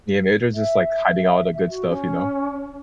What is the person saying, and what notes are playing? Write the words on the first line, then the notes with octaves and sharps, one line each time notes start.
Yeah, maybe they're just, like, hiding all the good stuff, you know?
E5
F#4
C#4